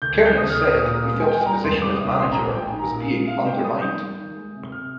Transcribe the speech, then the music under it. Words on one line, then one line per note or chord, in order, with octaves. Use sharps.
Kernan said he felt his position as manager was being 'undermined'.
D2 G6
G#6
G#3
G6
D2 D#6
F6
D2
D#6
A#2 F6
D#6
A#2
G#3
G#5
G#3 G5
G#5
G3 A#5
F2 C6
G3 D6
D#6
F1
D#6
A#1 C6
A#5
A#1
A#1 G5
G#5
D#3
A#5
A#2
G#3
G#3 F5
G#3 G5
G3 D#6
D#3 G6
G3
D#3
G#3
C3
C3 F6